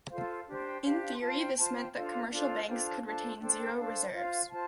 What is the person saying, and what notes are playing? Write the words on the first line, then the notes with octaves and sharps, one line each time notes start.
In theory this meant that commercial banks could retain zero reserves.
F4 A4 C5 F5
F5
D4 G4 C5
G5
D4 G4 C5 F5
F5
C6
F4 C5 A5
G5
F4 C5 A5
G5
D4 F4 A4 C5 F5
D4 F4 A4 C5 D5
F5
D4 F4 A4 C5 G5
A5
D4 F4 A4 C5 A5
D4 A4 C5 G5
G5
D4 A4 C5 F5
F4 C5 F5
F4 C5 A5